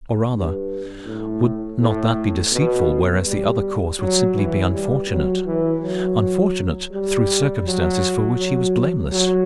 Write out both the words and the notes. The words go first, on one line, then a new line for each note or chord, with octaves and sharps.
Or, rather, would not that be deceitful, whereas the other course would simply be unfortunate--unfortunate through circumstances for which he was blameless?
G2
A2
A2
B2
G3
F#3
E3
G3
F#3
E3
F#3
G3
F#3
F#3
F#3